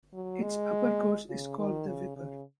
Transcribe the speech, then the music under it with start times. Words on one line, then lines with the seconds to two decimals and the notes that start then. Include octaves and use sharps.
Its upper course is called the Wipper.
0.14 F#3
0.42 G#3
1.30 C#3
1.59 D#3
1.88 C#3
2.16 C#3